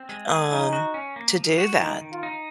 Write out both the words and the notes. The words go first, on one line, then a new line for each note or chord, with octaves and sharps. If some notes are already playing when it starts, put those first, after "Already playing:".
um, to do that,
Already playing: C4
G#3
G#4
F3 D#4
F#4
C#4
A#3
F3
F#4
D#3 D#4
D#3
F4
D#4